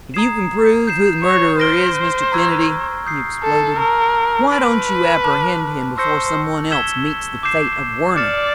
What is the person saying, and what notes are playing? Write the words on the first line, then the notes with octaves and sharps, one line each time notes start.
"If you can prove who the murderer is, Mr. Kennedy," he exploded, "why don't you apprehend him before some one else meets the fate of Werner?"
A#5 D#6 G#6 C7 E7
G6 C7 E7
C#5
C5 F6 A#6 D7 G7
A#5 C#6 E6 G#6
D#6 G6 C7
A4
A#4 A5 C#6 E6
B4 C6 F6 A#6 D7 F#7
A5 D6 F#6
C5 C#6 E6 G6 A#6 C#7
E6 G#6 B6 E7 G7
D6 G6 C7 E7
D5 D6 F6 A6 C#7 E7